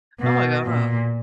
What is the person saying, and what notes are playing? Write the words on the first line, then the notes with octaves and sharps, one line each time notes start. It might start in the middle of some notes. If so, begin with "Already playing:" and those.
Oh my god.
B2
A#2